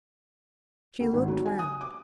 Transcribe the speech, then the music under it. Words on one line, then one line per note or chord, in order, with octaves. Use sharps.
She looked round.
D2
G#1
F#3
G#5
D#6
D6